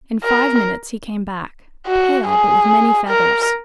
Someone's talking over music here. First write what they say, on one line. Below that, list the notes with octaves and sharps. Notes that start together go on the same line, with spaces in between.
In five minutes he came back - pale, but with many feathers.
A#4
F#4
G#4
A#4